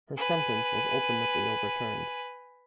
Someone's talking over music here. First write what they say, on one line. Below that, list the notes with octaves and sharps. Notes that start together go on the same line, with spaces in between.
Her sentence was ultimately overturned.
B4 G#5